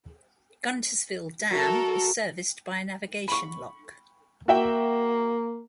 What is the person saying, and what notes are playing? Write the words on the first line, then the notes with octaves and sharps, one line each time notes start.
Guntersville Dam is serviced by a navigation lock.
F#3 F#4 A4 A#4 E5
B5 C#6
A#3 F#4 E5 G5